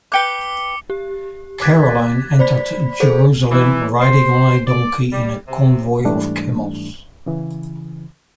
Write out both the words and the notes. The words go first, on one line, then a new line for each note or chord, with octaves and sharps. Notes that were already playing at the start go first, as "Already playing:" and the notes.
Caroline entered Jerusalem riding on a donkey in a convoy of camels.
B4 G5 D6 F#6 C#7 G7
G4
D6 F#6 G#6 A6 B6
C5 D5 B5 B6
G#4 A4 C5
E3
C5
D5
G3
C3
G#2 E3 G3 A3 D4
C#3 E3